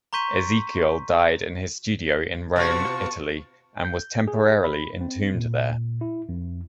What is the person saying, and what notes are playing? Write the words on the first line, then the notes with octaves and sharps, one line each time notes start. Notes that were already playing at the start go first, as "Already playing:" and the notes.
Ezekiel died in his studio in Rome, Italy, and was temporarily entombed there.
A#5 C6 C#6 G6 B6 D#7
B2 F4 F#4 A5 C#6
G6
G#4
B5
C4
A#2
E4
F2